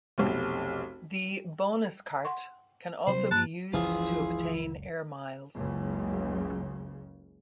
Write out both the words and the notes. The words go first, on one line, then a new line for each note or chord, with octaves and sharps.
The Bonuskaart can also be used to obtain Air Miles.
F1 B1
F#5 C6 C#6
C3 F#3 G3 C5
G2 A#3 A5 F#6
F#1 C#2 C#3 E3 F3 E4 F4 G#4
F#1 C#2 C#3